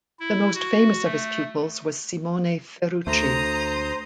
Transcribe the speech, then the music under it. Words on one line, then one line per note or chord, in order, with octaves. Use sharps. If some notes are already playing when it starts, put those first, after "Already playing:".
The most famous of his pupils was Simone Ferrucci.
E4
F#4
A3
D2 A3 C5 A#5 D#6